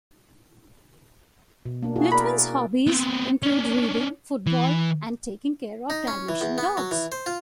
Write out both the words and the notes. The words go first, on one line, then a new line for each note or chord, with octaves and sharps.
Lytvyn's hobbies include reading, football, and taking care of dalmatian dogs.
B2
A#3 D4
E4 F#4 G#4
A#4 D5 B5
B3 C4
C#4 D4
E3
D#4
C#4
E3
E2
B3
F#3
E3
C5
F4